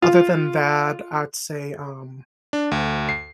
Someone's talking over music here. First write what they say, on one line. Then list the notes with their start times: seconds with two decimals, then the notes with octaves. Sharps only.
other than that, I'd say, um,
0.02 F4
2.53 D4
2.72 D2
3.09 C7